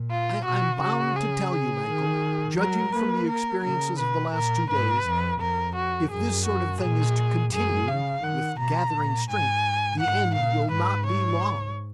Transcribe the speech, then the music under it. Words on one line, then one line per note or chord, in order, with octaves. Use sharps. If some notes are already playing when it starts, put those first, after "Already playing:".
"I am bound to tell you, Mankell, judging from the experiences of the last two days, if this sort of thing is to continue--with gathering strength!--the end will not be long."
Already playing: A#2
F4
B2 F#4
C#3 F#4
G#4
G#4
D#3
F#3 A#4
A#3 B4
A#4
C#3 A#4
B2 B4
A#2 A#4
G#2 B4
F2
F2 A#4
F#4
F#2 G#4
F#4
A#2 G#4
F#2 G#4
C#3 F5
D#3 F#5
B2 A#5
A#2
G#2 G#5
G#2 F#5
A#2 F5
G#2 B4
C#5